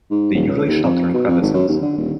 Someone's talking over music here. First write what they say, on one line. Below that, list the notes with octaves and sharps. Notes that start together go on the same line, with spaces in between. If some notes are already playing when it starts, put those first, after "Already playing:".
They usually shelter in crevices.
G#2
D#1
C#2
D#2
F2
B2
F2
G#1
F#2
D#2
D3
D#1